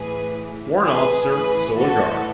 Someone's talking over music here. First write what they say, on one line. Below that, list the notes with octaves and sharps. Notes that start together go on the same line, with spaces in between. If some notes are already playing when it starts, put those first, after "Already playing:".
Warrant Officer--Solar Guard.
Already playing: A2 E3 G#4 B4
G#4 B4
A2 E3 G#4 B4
F#4 A4